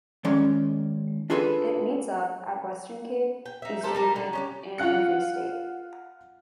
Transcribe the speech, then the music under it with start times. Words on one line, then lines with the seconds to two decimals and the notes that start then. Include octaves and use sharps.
It meets up at Western Cape, Eastern Cape and in the Free State.
0.25 D#3 G#3 C#4 D5
1.30 D4 F4 G#4 A4 B4
3.46 G5
3.62 D#4 E5
3.83 G4 A4 A#4 C5
3.95 G3 D#4 A#4
4.16 D3
4.33 C#4 D#4 G4
4.78 F4 F5 F#5 F#6 C#7